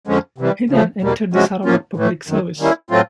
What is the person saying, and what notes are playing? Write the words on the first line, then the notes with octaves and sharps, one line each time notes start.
He then entered the Sarawak public service.
F2 D3 F3 G#3 C#4
C3 E3 G3
C#3 F3 A3
E2 B2 G3 A#3
C3 F3 G#3 C#4 F#4
A2 F3 A#3 C#4 F4
A2 E3 A3
F#2 D#3 F#3
D#3 G3 A#3 C#4 E4
A2 F#3 A3 C4 F4